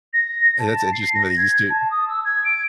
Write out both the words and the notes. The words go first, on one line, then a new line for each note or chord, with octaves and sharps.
And that's interesting that they used to
A#6
A5
C7
A#6
G#6
A5
D#6
E6
G#6
D7